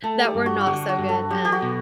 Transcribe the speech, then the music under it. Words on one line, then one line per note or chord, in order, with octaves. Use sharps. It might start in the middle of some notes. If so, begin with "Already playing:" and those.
that were not so good, uh,
A3 A4
G4
G2
F#4
F#4
D3 G4
F#4
G2
A4
F#3 G4
G4
F#4
B2